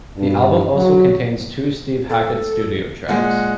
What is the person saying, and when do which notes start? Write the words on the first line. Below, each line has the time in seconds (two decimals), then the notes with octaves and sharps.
The album also contains two Steve Hackett studio tracks.
0.17 G2
0.76 F#3
2.10 A4
3.08 A#2 G#3 F#5